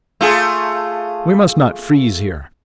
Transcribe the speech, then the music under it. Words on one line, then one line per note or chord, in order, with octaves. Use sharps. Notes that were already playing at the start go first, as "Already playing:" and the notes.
"We must not freeze here."
A3 F4 G#4